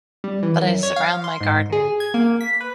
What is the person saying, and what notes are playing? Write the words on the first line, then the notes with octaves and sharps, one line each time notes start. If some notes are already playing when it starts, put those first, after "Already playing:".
but I surround my garden
G3
E3
F#2
C#5
F5
C6
G#2
G#4
G#6
A#3
B6
B4